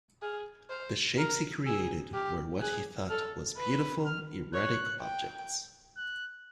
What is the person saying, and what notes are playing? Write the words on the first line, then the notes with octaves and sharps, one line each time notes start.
The shapes he created were what he thought was "beautiful, erratic objects".
G#4 F6
C5 F6
A#4 F6
G#4 E6
G4 F6
G#4 F#6
A4 F6
B4
F6
C#5 F#6
G5
F#6